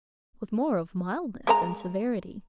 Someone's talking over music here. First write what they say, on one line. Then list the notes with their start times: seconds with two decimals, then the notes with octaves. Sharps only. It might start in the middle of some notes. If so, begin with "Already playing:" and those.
"With more of mildness than severity."
1.47 G#3 B4 A#5